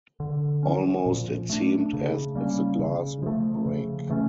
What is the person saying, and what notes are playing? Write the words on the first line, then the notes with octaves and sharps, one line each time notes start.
Almost it seemed as if the glass would break.
D3
F3 C#4
A#2
A3 D4
C#3
G3 A#3 C#4
C#3
F3 A3
C#3
E3 A3 C#4